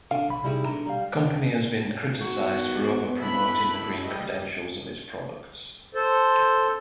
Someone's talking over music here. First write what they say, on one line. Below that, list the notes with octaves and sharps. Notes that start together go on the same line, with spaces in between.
The company has been criticized for over-promoting the green credentials of its products.
D3 F5
B1 B5
C3 G3 D#4 E4 G#4
B2 D3 A#5
G3 F5
D#3 B3 F#4
A3 E4 B5 F#6
G3 D#5
A4 C5